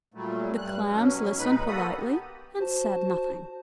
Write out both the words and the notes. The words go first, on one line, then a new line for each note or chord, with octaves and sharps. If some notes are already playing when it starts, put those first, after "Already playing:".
The Clams listened politely and said nothing.
A#2 F#3 G3 A3
G2 G3 F#6
B2 F#3 C#4
A#2 G#3 D#4 B4 B5
A#3 F#4 A4 B5 D#6
B3 G4
F#4 C5 A5